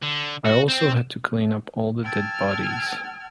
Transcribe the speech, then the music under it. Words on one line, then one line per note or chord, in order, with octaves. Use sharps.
I also had to clean up all the dead bodies...
D3
F#4
C4
G5 A5 E6 F6 G#6